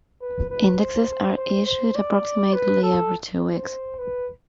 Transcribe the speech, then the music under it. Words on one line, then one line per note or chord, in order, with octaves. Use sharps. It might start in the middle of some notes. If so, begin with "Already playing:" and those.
Indexes are issued approximately every two weeks.
B4
B4
C5
C5
C5
D5
B4
A4
C5
B4